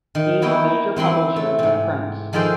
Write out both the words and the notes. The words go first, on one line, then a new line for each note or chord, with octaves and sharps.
These were major publishers of prints.
D#3
A#3 B3 E4 C#5 D#5 G5
E3 C4 B5 C6
A3
G#2 C3
D#3 F3 G#4 A4 C5 G5